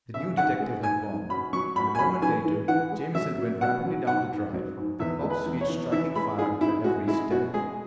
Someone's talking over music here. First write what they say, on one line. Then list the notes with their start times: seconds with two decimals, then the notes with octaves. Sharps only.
The new detective had gone, and a moment later Jamieson went rapidly down the drive, the cob's feet striking fire at every step.
0.14 C#3 E5
0.37 G#2 F#5
0.60 G#3
0.83 G#2 G#5
1.06 G#2
1.29 F#2 B5
1.53 F#3 C#6
1.76 F#2 B5
1.95 G#5
1.99 F#2 B5
2.22 E3 G#5
2.45 E3
2.68 E3 F#5
2.92 G#3
3.15 F#3 E5
3.38 F#3
3.61 B2 F#5
3.84 F#3
4.07 G#2 F#5
4.30 G#2
4.53 F#3
4.77 G#2
4.99 E2 E5
5.23 G#3
5.30 B4
5.46 E2
5.61 C#5
5.69 E2
5.92 E3 E5
6.16 G#3 B5
6.38 G#2 G#4
6.61 G#2 E4
6.84 G#3 F#4
7.08 G#3 E4
7.31 B2 F#4
7.54 G#3 G#4